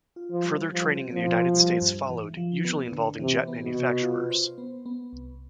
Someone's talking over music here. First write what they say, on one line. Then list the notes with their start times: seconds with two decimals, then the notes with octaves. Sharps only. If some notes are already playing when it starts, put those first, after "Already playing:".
Further training in the United States followed, usually involving jet manufacturers.
0.16 F4
0.30 F3
0.44 G3
0.71 F3 G3
0.99 C4
1.13 F3
1.26 B2
1.54 G3
1.82 G2
2.09 E3
2.37 F3
2.64 B3
2.92 D3
3.20 C3 E3
3.47 B3
3.61 B2
3.75 C3
4.02 F4
4.30 C5
4.58 B3
4.86 B3
5.13 C2